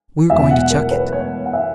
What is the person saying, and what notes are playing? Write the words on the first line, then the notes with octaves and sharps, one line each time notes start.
We're going to chuck it.
E2 B2 F#3 E5
F#5
A#4
B4
C#5
F#5
E5